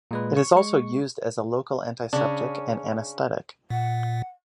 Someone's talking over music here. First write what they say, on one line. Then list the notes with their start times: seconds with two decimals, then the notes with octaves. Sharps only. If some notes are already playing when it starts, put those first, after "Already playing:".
It is also used as a local antiseptic and anaesthetic.
0.11 A#2 G#3 B4
0.37 C#6
0.56 G#3 C#6
2.13 C#3 C#4 D4
3.70 A#2 F#5